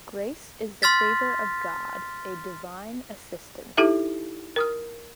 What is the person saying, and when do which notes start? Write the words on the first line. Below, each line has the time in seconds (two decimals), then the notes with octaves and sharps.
Grace is the favor of God, a divine assistance.
0.82 C6 F6 A6 B6
3.77 D#4 E4 G4 A4 E5
4.56 A#4 D#6 F6